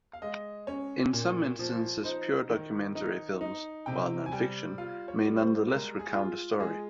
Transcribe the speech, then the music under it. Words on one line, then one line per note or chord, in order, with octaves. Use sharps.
In some instances pure documentary films, while nonfiction, may nonetheless recount a story.
F5
G#3 D#5
C#4 C#5
A#2
F3
D#4 C5
D#3
D#4
D#4
C3 G5
G#5
G3 G5
F4 F5
C#5
G3
C5
G#3 A#4
G#4
F4
G#3 G#4